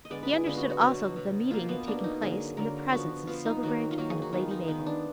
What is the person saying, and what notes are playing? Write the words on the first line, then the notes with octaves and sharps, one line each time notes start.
He understood also that the meeting had taken place in the presence of Silverbridge and of Lady Mabel.
D#5
D3 G#3 B3 D5
B4
G#4
D3 G#3 B3 F4
F#4
F#4
B2 F#3 B3
B2 F#3 B3
B2 A#3 F4
B3
B2 A#3 D4
D#4
D3 F#3 A#3 G#4
D3 F#3 A#3 A#4
F3 B3 F#4
F3 B3 F4
D#4
D#3 F#3 A#3 F#4
F4
D#3 F#3 A#3 F#4
G#4
F#4
D#3 G#3 B3 F4
D#4
D#3 G#3 B3
D4